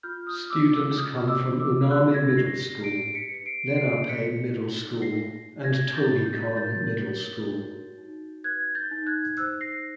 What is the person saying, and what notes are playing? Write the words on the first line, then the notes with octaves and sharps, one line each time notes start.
Students come from Unami Middle School, Lenape Middle School, and Tohickon Middle School.
F4 F6 G6
D#6 F6
F4 D6 E6
D6 E6
G#4 D#6 F6
D6 E6
G#4
D6 E6
G4 E6 F#6
G#6 A#6
G4 A#6 C7
A#6 C7
D5 C7 D7
B6 C#7
B4 C#7
C7 D7
C#5 C7 D7
B6 C#7
G#4
D#4
A#6 C7
D#4
F#4 G#6 A#6
G6 A6
F#4
G6 A6
A#4 G6 A6
C#5
F#4
D#4
B4 F#6 G#6
G6 A6
D#4
F#6 G#6
C5 E6 F#6
A#6 C7